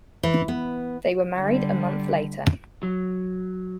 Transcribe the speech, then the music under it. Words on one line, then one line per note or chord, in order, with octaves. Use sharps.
They were married a month later.
E3
B3
D3 G3
F#3